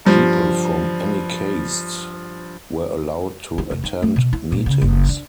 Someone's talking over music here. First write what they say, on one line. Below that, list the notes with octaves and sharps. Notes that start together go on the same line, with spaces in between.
People from any caste were allowed to attend meetings.
G2 F3
C4
F1
D#4
A3
B2
E4
A#2
C#3
F#1
D4